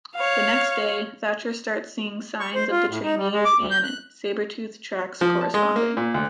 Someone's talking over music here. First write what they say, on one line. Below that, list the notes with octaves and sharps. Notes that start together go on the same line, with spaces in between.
The next day, Thatcher starts seeing signs of the trainees and sabretooth's tracks corresponding.
C#5 F5
C#6
C5
F4
A2
D#4
G3
G#3
D6
D2
G6
F#6
F3
A5
G#3
A#3
A#2
D2